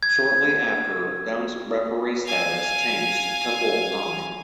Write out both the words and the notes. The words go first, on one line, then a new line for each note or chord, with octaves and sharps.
Shortly after, Doan's referee status changed to full-time.
G#6
F5 G#5